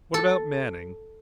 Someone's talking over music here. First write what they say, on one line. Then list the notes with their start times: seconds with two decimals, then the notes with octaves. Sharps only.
"What about Manning?"
0.14 A4